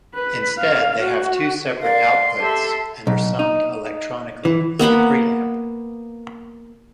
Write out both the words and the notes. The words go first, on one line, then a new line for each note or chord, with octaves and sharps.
Instead, they have two separate outputs and are summed electronically in the preamp.
B4
F5
F#4
A#4 D5 F5 C6
G4 A4 E5 A5
B1
D#4
E3
A#3 B3 F#5 B5